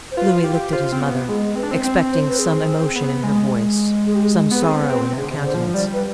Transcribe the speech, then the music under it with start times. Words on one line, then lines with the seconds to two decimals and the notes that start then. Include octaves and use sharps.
Louis looked at his mother, expecting some emotion in her voice, some sorrow in her countenance.
0.11 C5
0.17 F4 B4
0.44 G4
0.72 F4 C5
0.92 C4
1.01 B3
1.29 G#3 G#4
1.55 C4 B4
1.63 D4
1.71 C4
1.84 C4 C5
2.12 C5
2.28 B4
2.39 G#4
2.96 B3
3.23 G#3
4.06 G#4
4.15 G4
4.24 G#4
4.51 B3 B4
4.62 C4 G#4
4.82 B3
4.90 C4 B4
5.13 C3
5.17 D3 G#4
5.31 C3
5.36 D3
5.45 C5
5.54 F3
5.74 G3 D5
5.93 B4